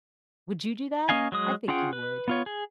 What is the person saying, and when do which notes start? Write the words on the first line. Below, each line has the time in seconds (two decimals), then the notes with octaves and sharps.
Would you do that? I think you would.
1.09 A#3 C#4 D#5 F5 G#5
1.32 F#3 G#3 D#6
1.68 C#4 F4 G#4 F#5 G5
1.93 B4
2.28 B3 F4 C#5
2.46 G#4